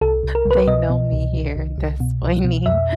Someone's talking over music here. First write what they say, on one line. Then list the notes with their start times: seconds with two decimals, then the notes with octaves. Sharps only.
They know me here, that's funny.
0.01 C2 A4
0.23 C2
0.35 A#4
0.45 C2
0.51 B4
0.67 B2 D#5
0.90 B2
1.12 C2
1.34 C2
1.56 C2
1.78 C2
2.00 B2
2.23 C2
2.44 B2
2.66 F2 E5